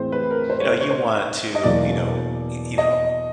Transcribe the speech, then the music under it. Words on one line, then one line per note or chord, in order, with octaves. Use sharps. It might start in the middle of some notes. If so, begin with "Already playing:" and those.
you know, you want to, you know y you know,
Already playing: A2 E3 G#3 C4 C5
B4
A#4
C5
C#5
C5
C#5
C5
D#5
E2 B2 F#3 A#3 D5
D#5